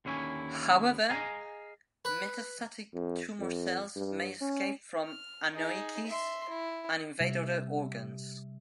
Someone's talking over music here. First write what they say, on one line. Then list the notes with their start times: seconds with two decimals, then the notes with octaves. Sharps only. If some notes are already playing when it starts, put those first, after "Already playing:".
However, metastatic tumor cells may escape from anoikis and invade other organs.
0.05 D#2 D3 C#4 E4 C#5 G#5
1.09 G#4 D#5 F5 G#5 A#5
2.05 B4
2.94 F2
3.40 F2
3.96 G2
4.41 C#4
5.05 F6
5.54 D#4 G#4
6.07 E5 C6
6.49 E4
7.20 C3 G3 E5